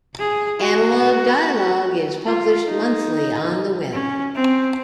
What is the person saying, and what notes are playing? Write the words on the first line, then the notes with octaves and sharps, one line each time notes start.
"Analog Dialogue" is published monthly on the Web.
G#4
F#4
F4
D#4
C#4
C4